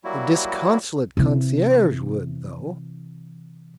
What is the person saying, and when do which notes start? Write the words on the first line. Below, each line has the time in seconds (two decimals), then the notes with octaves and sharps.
The disconsolate concierge would, though.
0.04 F#3 G3 A#3 E4 F#4
1.17 C3 E3